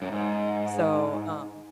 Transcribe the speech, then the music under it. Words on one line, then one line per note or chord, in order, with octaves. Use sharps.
So, um,
F#2
G#2